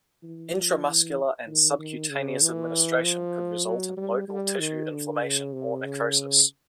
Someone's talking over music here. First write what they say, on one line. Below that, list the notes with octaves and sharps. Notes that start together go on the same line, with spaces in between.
Intramuscular and subcutaneous administration could result in local tissue inflammation or necrosis.
E3
F3
E3
D#3
D#3
C#3
E3
F3
F#3
G3
G3
D#3
D3
C#3
C3
C#3